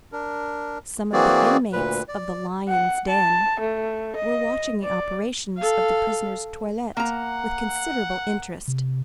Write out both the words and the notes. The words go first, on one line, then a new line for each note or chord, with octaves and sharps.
Some of the inmates of the "Lions' Den" were watching the operations of the prisoner's toilet with considerable interest.
D4 A#4
E3 A#3 C4 F#4 G#4 D5
D2 A#2 B4
D5
F#5
A5
A3
D#5
D5
A4 F5
A#3 F#5 A#5
C3